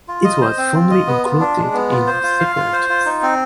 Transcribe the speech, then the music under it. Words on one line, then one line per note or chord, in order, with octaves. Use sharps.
It was formerly included in "Scelotes".
F4
D#5
C5
C4
F4
D#5
B3
F4
D4
G#3
B3
F4
C5
F4
F5
F4
C5
F4
D#4
C4